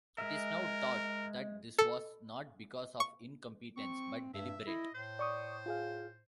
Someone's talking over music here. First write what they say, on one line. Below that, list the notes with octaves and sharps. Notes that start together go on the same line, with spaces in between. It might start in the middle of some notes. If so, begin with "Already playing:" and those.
It is now thought that this was not because of incompetence, but deliberate.
G#3 A#4 E5
A4
C#6
C4 C#6
G2 E5
E4 D#5
A2 C5
D5 C#6 D#6
F4 G#4 F5